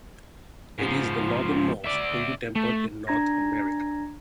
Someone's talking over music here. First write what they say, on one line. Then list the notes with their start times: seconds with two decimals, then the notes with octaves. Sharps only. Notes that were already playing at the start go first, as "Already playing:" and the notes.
It is the northernmost Hindu temple in North America.
0.79 G#2 F3
1.84 D5 E5
2.56 A3
3.07 D4 A#5 G#6 A#6